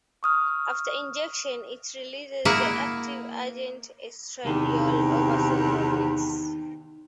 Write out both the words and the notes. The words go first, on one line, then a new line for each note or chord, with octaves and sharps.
After injection, it releases the active agent estradiol over several weeks.
C#6 D#6 F6
A#3 E4 G#4 E5 F#5
E2 C3 D#3 G4